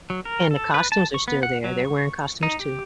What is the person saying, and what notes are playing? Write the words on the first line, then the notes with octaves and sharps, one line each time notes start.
And the costumes are still there, they're wearing costumes too.
F#3
A#4
A4
B4
A5
C#6
B3
F#5
F#3
C#6
D#4
G4